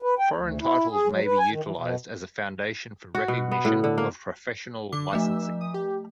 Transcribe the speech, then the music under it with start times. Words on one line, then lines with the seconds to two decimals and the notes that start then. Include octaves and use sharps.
Foreign titles may be utilized as a foundation for recognition of professional licensing.
0.02 B4
0.19 G5
0.36 D2
0.61 E4
0.91 G#4
1.11 F#3
1.25 B4
1.39 G#5
1.51 D#3
1.63 E3
1.77 B2
3.15 F#4
3.28 B2
3.51 B3
3.65 A2
3.84 D3
3.98 A#3
4.93 D3 D6
5.13 F3 A3 E6
5.61 D#6
5.74 G4